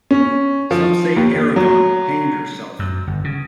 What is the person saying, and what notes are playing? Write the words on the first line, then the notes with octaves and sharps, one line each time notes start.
Some say Erigone hanged herself.
C#4
F3
D#2
F#3
F#2
G1
C#3